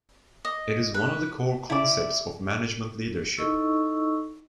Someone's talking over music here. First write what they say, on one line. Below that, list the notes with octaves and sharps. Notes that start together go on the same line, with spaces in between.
It is one of the core concepts of management leadership.
D#5
B4
E4 D5
D#4 E4 A4 D#5 C#6 E6